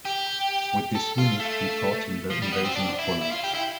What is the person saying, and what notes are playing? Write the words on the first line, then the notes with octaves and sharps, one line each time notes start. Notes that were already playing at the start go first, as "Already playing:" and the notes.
With this unit, he fought in the Invasion of Poland.
G4
A4
F4
A3
F3
G3
B3
C4
D4
E4
E4
F4
G4
E4